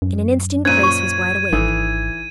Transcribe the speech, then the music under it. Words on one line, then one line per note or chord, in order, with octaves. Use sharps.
In an instant Grace was wide awake.
F#2
A#2 C#4 C5 G#6 D#7
C#6
G#1 E3 D#4 A4 C#5